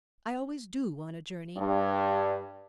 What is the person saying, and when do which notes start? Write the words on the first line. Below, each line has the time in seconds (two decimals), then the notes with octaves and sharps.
I always do, on a journey.
1.57 G2